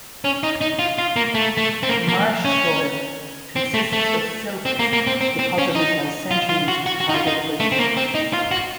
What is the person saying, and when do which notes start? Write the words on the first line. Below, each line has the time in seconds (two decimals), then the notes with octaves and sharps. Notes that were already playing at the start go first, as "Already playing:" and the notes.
The marsh soil consists of silts deposited by centuries of tidal flooding.
0.24 C#4
0.43 D#4
0.61 D#4
0.79 F4
0.98 F4
1.16 A#3
1.35 A3
1.57 A3
1.83 C4
1.89 A#3
2.08 A#3
2.45 C#4
3.56 C4
3.74 A3
3.93 A3
4.65 C4
4.79 A#3
4.93 A#3
5.07 C4
5.21 C4
5.39 C4
5.58 C#4
5.75 D#4
6.31 F4
6.49 F4
6.68 F#4
6.86 F#4
7.01 F#4
7.09 D#4
7.14 F4
7.27 D#4
7.60 A3
7.72 C4
7.79 A#3
7.97 C4
8.14 D#4
8.33 F4
8.51 F#4